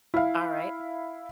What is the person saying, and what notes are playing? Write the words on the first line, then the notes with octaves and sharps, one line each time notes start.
All right.
E4 F5